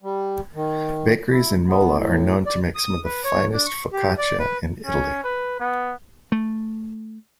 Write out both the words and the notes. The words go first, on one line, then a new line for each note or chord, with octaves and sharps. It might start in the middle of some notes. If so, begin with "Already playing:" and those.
Bakeries in Mola are known to make some of the finest focaccia in Italy.
G3
D#3
E4
B3
A2
D5
D#6
B4
C#5
D4
C#6
G4
D5
B4
C#4
B4
B3
A3